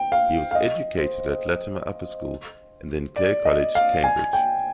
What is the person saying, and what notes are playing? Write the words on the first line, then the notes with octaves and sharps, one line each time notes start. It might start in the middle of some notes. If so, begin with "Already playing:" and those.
He was educated at Latymer Upper School and then Clare College, Cambridge.
Already playing: G5
F5
F5
D#5
C5
D5
D#5
F5
G#5
G5